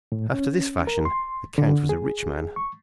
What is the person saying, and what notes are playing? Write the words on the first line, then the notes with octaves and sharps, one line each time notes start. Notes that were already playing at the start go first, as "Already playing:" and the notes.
After this fashion the count was a rich man.
A2
C#4
A#4
C6
D3
G#4
C#6